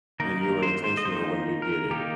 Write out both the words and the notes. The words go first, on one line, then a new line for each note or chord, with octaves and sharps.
And you were intentional when you did it.
D#3 A#3 D#4 A#4
A#4
C5
C5
D#5
D#3 A#3 D#4 C5
A#4
D#3 A#3 D#4 G4